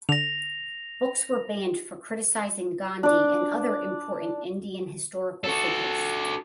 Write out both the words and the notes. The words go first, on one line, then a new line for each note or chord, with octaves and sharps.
Books were banned for criticizing Gandhi and other important Indian historical figures.
D3 A#6 F7
D4 D5
F#4 A4